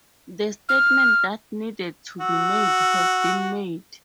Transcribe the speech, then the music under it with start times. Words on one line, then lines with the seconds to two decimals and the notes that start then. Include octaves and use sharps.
The statement that needed to be made has been made.
0.69 F6
2.20 F#4 E6